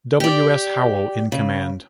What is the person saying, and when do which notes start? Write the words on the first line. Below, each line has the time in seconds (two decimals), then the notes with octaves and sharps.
W. S. Howell in command.
0.20 G4 D5
1.32 C#3